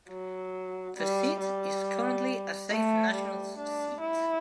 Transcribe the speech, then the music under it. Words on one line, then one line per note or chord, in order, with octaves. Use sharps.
The seat is currently a safe Nationals seat.
F#3
G3
G3
A3
G3
D4
E4